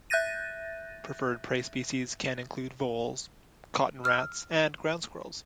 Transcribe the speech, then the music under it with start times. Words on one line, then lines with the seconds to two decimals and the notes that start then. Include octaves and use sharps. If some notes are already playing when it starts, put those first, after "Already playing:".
Preferred prey species can include voles, cotton rats and ground squirrels.
0.10 E5 F#6 G6 A6 A#6 D#7
4.04 E6 F6